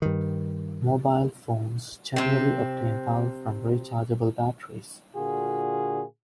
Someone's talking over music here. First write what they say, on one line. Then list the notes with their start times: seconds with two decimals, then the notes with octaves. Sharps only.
Mobile phones generally obtain power from rechargeable batteries.
0.02 G2 D#3
2.16 C3 C4
5.16 A#2 D3 F4 F#4 G#4